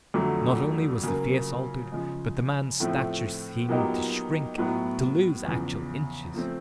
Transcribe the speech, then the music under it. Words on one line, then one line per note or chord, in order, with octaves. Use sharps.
Not only was the face altered, but the man's stature seemed to shrink, to lose actual inches.
F2 D3 F#3 A3
C#3 F#3 A#3
C#3 F3 G#3
A2 F3 A3 C4
A#2 F#3 B3 D#4 G4
A2 F#3 B3
E2 C#3 F3
F3 A3 C4